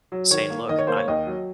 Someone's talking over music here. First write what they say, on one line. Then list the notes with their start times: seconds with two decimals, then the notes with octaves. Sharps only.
saying, "Look, I'm
0.12 F#3
0.31 D#3 C#5
0.50 A#3
0.69 D#3 D#5
0.78 C#5
0.87 A#3 C5
0.97 C#5
1.08 D#2 D#5
1.27 F#3